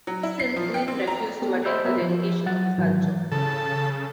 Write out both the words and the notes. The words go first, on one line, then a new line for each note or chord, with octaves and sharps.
Still, Lin refused to attend the dedication of the sculpture.
F#3
E4
C7
F3
G5
C4
A#5
B3 G4 A4
C5 D#5 E5 B5 E6 G6
B3 G4 A#4 E5
F3
F#3 F#5 A6
G#2 D#3 E3 F#3
C#3 A4